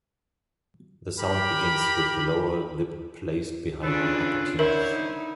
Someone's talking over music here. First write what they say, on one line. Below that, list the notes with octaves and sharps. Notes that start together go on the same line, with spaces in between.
The sound begins with the lower lip placed behind the upper teeth.
G4 A#4 B5
C#3 C#4 D4 F4 A4 B4
D3 E4 A#4 C5 C#5
D#4